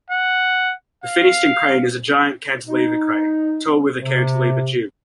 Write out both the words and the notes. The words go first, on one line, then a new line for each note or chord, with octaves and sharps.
The Finnieston Crane is a giant cantilever crane, tall with a cantilever jib.
F#5
F5
D#4
C3